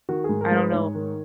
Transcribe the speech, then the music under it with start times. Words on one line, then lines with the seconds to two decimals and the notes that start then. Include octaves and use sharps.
I don't know
0.09 D#3 F#4
0.24 G#2 G#4
0.41 A#4
0.51 G#3
0.56 B4
0.72 G#2 C#5
0.95 D#3